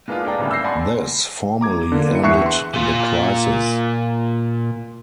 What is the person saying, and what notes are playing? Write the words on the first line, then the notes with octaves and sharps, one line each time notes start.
This formally ended the crisis.
G#3 A#3 B3 D4 F4
D4 A4 D5 G5 A#5
D1 G1 A2 C#3 G3 A#3
E6 G6 A#6 C7
D5 F#5 G#5 A5 B5 C6
A#5 D6 G#6
D3 A#3
E4 C#7
E2 E5 C#6 F#6 C7 C#7
C6
A#2 F4